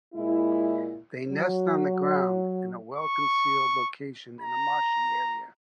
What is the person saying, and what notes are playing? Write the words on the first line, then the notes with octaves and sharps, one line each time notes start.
They nest on the ground, in a well-concealed location in a marshy area.
A#2 G#3 E4
F#3
C#6
A#5